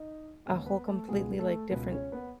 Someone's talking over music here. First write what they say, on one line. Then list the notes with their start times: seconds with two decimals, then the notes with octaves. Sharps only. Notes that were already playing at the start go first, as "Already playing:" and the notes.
a whole completely, like, different
Already playing: D#4 D#5
0.46 D#2 C#3 G#3 B3 C#4 C#5
0.66 B3 B4
0.87 A3 A4
1.08 C#2 B2 G#3 B3 G#4
1.39 A3 A4
1.71 C#2 B2 G#3 B3 B4
1.92 C#4 C#5
2.12 B3 B4